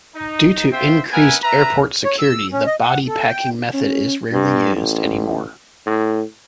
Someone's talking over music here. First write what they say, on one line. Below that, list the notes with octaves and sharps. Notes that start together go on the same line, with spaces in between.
Due to increased airport security the "body packing" method is rarely used any more.
D#4
F4 C5 E5 G5 C6
B3 A#4 E5 G#5
B4 E5 A#5
C#5
E6
C#4
D#5
F#5
A4
G5
C#4
G2
A1
A2